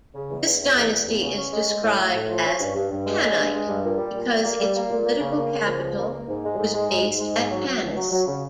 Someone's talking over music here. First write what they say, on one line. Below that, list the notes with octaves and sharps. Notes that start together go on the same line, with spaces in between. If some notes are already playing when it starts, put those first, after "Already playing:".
This dynasty is described as 'Tanite' because its political capital was based at Tanis.
C#3
E2
E2
E2
E2
E2
E2
C#3
C#4
G#3
G#3
A2
A2
A2
F3
C#4
G2
G2
G2
G#3
G#3
G2
G#3
G2
A#2
G3
A#2
G3
A#3
G3
A#3
A#2
A#3
C#3
A#3
C#3
F3
C#2
A#3
A#3
G#2
G#3
G#2
G#3
G#2
G#2
G#3
G#2
F#3
F#3
C#2
F#3
F#3
C#3